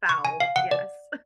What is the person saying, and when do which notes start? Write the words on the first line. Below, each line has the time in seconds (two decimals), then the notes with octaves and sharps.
Foul, yes.
0.09 C#6
0.25 G#5
0.40 F5
0.56 F#5
0.71 D5